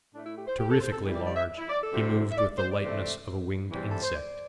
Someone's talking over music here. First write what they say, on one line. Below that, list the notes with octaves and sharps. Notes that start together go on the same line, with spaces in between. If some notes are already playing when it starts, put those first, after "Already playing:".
Terrifically large, he moved with the lightness of a winged insect.
A2 A3 D4
E4
G4
C5
G4
A4
C5
A4
E2 E3 G3
D5
D5
E5
E4
D5
A4
D2 C3 G3
E5
D5
C5
D5
E2 C3 A3
E2 C3 E3 G3
A4
C5
D5